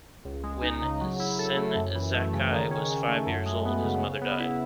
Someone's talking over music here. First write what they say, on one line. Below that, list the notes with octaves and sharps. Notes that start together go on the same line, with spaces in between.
When Senzaki was five years old his mother died.
C#2
G#3
D#4
C#3
F#3
E4
A4
A3
F#2
E3
A3
C#3
D#3
C#4
D#3
A3
F#2
G#3
B3
C#3
C#3
B3
E4